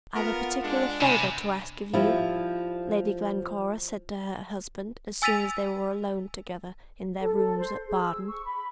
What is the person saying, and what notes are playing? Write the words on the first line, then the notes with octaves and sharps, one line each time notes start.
"I've a particular favour to ask of you," Lady Glencora said to her husband, as soon as they were alone together in their rooms at Baden.
B3 F4 A#4 F#5
G#3 D4
C3 G#5 B5
F3 G3 E4
G#5 E6 A6 B6 D#7 F7
A4
A4
C5
G#4
E6
C#6
B5